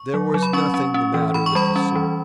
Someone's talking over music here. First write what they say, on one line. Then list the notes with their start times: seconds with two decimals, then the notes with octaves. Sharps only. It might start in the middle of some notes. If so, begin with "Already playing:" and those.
There was nothing the matter with the soup.
Already playing: C#6
0.14 F#3
0.34 F#3
0.43 B5
0.53 C#4 C#6
0.74 C#4
0.94 C#4
1.14 E3
1.34 E3 B5
1.46 C#6
1.55 G3 B5
1.76 C#4
1.95 E3